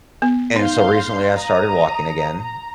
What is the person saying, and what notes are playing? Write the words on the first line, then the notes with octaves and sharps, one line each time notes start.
And so recently I started walking again.
B3
D#4 F5 C6 G6
A#5 D#6
A#5